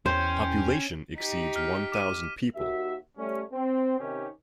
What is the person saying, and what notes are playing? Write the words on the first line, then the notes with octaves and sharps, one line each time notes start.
Population exceeds one thousand people.
E2 C#4 C5 G5 C6
D#4 G4 B6
F6 B6
D6 D#7
D#2 F#4 E5
G3 A3 C#4
C4
C3 D#3 C#4 G4